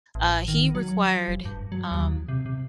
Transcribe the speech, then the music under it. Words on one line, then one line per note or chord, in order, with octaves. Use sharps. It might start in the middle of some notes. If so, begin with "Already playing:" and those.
uh, he required, um,
A1
D#3
F#3
F1
G2
F#3
D#2
C3
C3